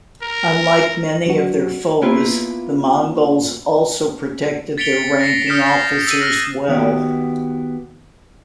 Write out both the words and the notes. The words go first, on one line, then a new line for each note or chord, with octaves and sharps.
Unlike many of their foes, the Mongols also protected their ranking officers well.
A#4
F#3 D4 F#4
A#3 B3 E4 F4 B4
A6 B6 C#7 D7 F7 G7
A#6 C7
D#6 F6 G6 B6 C#7 E7
A6 C7
E6 D#7
F6 F#6 A#6
D#3 B3 F#4 G4